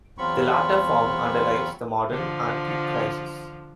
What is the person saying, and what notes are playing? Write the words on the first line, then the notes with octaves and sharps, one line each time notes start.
The latter form underlies the modern antichresis.
E2 F#3 C4 F4 B5 C#6
D3 F3